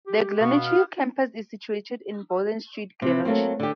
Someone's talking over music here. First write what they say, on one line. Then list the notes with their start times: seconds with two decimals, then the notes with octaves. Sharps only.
The Glenorchy campus is situated in Bowden Street, Glenorchy.
0.07 G4
0.40 B2 B3 F5 C#6
0.66 F6
3.02 C3 E3
3.25 F#3 A3 A#3 C4
3.60 D3 G4